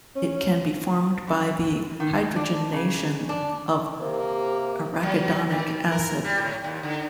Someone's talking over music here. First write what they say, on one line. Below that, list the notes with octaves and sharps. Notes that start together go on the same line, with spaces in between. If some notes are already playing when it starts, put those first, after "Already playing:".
It can be formed by the hydrogenation of arachidonic acid.
C#4
F#2
D#3
D4
C#3
D4
C3 A#3 G4 A#4
F#3
D#3
A#4
G3
A2
D#2
D3